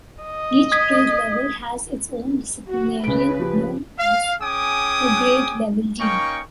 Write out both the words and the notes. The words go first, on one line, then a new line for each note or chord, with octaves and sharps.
Each grade level has its own disciplinarian known as a grade level dean.
D#5
D#6 G#6 B6
F#4
C#2 C#3 B4 D7
F3 G4
F5
C#4 G#4 G5 G#5 D6 D#6
A#3 C#4 D#4 G5 C#6